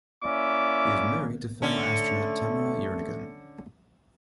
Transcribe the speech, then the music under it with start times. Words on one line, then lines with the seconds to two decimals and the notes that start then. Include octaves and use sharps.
He is married to fellow astronaut Tamara Jernigan.
0.24 A#3 C#4 E4 D5 E5 D6
1.62 D3 A3 C#4